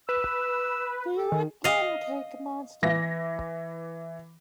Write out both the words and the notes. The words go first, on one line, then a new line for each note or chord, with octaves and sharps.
Do you like plum-cake, monster?
B4 E6
A4
D#3
D#5 F5
E3 A#6